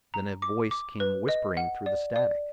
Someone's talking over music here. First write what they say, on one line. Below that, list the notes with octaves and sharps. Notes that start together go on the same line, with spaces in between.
Then a voice came whispering through the static.
A#5
D6
D6
B4
D#5
F#5
D5
D5